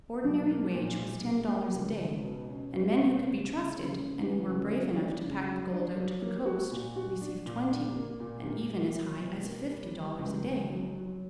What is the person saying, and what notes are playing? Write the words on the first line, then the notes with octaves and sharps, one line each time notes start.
The ordinary wage was ten dollars a day, and men who could be trusted, and who were brave enough to pack the gold out to the coast, received twenty and even as high as fifty dollars a day.
B1
A#3
A#2
B1
A#3
A#3
C#2
C#2
B2
C#4
B2
C#4
C#3
C#3
C#3
C#3
E3
C#3
F#3
D4
C#3
F#3
D4
F#3
A#3
F#4
A#2
F#4
D4
A#2
D4
A#3
A#2
A#3
A#3
F#3
B2
A#3
G3
G3
C#2
C#2
F#3
F#3